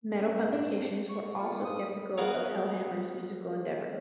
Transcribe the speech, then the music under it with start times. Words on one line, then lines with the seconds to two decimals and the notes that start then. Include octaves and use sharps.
Metal publications were also skeptical of Hellhammer's musical endeavor.
0.14 C#4
0.38 D2
0.53 D4
0.74 C4
1.09 C#6
1.38 F4
1.65 D#6
2.18 B3 D#4 F#4 G#4 A#4 F5